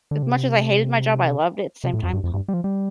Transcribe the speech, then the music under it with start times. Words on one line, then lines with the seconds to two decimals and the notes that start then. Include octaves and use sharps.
as much as I hated my job, I loved it same time, now.
0.11 D3
0.23 C3
1.84 C3
1.93 A2
2.03 F2
2.13 G2
2.24 F2
2.34 G2
2.48 G3
2.54 F3
2.64 G3